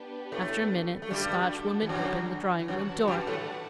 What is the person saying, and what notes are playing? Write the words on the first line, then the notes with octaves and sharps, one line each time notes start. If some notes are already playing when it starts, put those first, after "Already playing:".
After a minute the Scotchwoman opened the drawing-room door.
Already playing: B3 D4 G4 B4
A2 A3
A3
G2 G3 D4 F#4 A4
E3
F#2 F#3
E3
F#2 F#3 F#4 B4 D5 F#5 A5
G2 G3
A2 A3